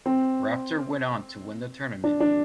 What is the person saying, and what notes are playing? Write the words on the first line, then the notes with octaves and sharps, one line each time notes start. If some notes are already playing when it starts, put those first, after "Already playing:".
Rafter went on to win the tournament.
C4
D4
D4